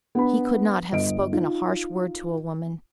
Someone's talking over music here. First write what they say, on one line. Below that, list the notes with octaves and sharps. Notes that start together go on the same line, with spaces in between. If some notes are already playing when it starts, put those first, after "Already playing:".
He could not have spoken a harsh word to a woman.
B3 D4 B5
G1 D#5 D7
D#4 F4